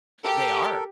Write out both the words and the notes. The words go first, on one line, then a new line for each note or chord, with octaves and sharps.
They are.
G4 A4 A#4